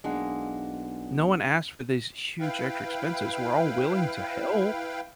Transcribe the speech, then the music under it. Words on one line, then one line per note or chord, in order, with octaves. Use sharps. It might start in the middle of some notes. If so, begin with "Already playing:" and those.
no one asked for these huge extra expenses. We're all willing to help,
B1 G#3 A#3 D4 F#5
E4 B4 F5 G5